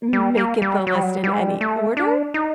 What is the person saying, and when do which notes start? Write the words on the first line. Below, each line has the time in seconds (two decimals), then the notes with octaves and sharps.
m make it the list in any order.
0.13 G3
0.37 A#3
0.62 G3
0.87 F#3
0.95 G3
1.03 F#3
1.24 G3
1.33 G#3
1.42 G3
1.61 A3
1.97 D4
2.34 D#4